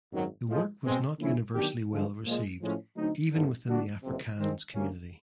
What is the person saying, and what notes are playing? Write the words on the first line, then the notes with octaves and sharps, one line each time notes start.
The work was not universally well received even within the Afrikaans community.
G#1 F#2 D#3 F#3
A2 F3 G#3
B2 G#3 C4
D3 F3 A#3 C#4 E4
D#3 F#3 B3 D4 G4
G2 D3 F3 G#3
A#2 F3 G#3
A2 F3 G#3 C#4
D3 F#3 A3 C4 D#4
G1 G2 D3
D3 G3 A#3 D4 F#4
F#1 F2 C3
D#3 G#3 C4 D#4
D2 D3 G3 A#3 C#4